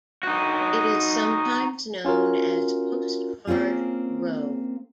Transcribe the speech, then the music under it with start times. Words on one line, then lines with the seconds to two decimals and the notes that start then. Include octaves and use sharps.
It is sometimes known as Postcard Row.
0.23 D#4 F#4
2.05 C#4 F4 F#4 A#4
3.47 A#3 C4 C#4 F4 G#4